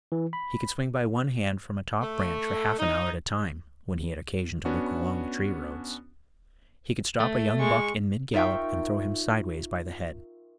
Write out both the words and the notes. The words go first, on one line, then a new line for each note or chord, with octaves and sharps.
He could swing by one hand from a top branch for half an hour at a time, when he had occasion to look along the tree-roads. He could stop a young buck in mid-gallop and throw him sideways by the head.
E3
B5
A3
D#4
B3 C#4 D4 F#4
A3
G#3 C#6
D#4 F4 A#4 E5 G5 C#6